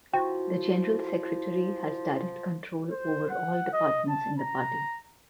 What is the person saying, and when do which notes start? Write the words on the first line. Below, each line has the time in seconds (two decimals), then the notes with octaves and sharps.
The General Secretary has direct control over all departments in the party.
0.14 F3 E4 F#4 G5
2.90 C5
3.30 F#5
3.73 D#5
4.08 A5
4.39 A#5